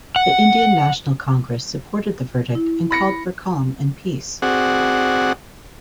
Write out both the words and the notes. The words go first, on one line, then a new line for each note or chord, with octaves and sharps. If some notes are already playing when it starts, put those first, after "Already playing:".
The Indian National Congress supported the verdict and called for calm and peace.
F#5
E4
B5 A#6 C#7
C4 F#4 G#4 D5 F#5